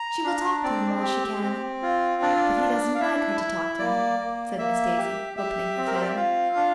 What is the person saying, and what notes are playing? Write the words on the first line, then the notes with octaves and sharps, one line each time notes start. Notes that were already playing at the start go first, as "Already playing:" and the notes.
"She will talk to him all she can; but he doesn't like her to talk to him," said Miss Daisy, opening her fan.
Already playing: A#5
D4
C4 D5
G4
C4
F4
D4 D5
D4
F5
E4 E5
E4
A#3 D5
A#3
A#3 E5
G4
G4 E5
C4
A#4
C5
D5
E5
F4 F5
D4